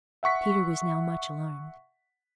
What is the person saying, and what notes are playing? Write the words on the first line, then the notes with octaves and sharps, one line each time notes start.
Peter was now much alarmed.
E5 F#5 C#6 B6